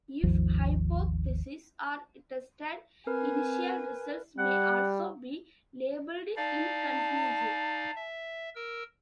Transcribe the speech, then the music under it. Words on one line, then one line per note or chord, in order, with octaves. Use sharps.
If hypotheses are tested, initial results may also be labeled inconclusive.
G#1 D#2 F3
C4 A#4 B4 G#5
G3 F#5
D#4 D5 F5 A5
E5
A#4 E6